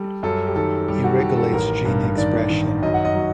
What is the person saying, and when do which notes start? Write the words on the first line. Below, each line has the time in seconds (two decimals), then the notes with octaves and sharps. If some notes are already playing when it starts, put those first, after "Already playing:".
It regulates gene expression.
Already playing: G3 A4
0.23 F#2 A4
0.47 G4
0.56 D#3 A4
0.88 G3 G4
1.04 F#4
1.20 D#3 G4
1.37 A4
1.53 A1 A#4
1.85 G2
2.18 D#3 D5
2.50 D#3
2.82 F#2 D#5
2.94 F#5
3.05 D#5
3.15 F#3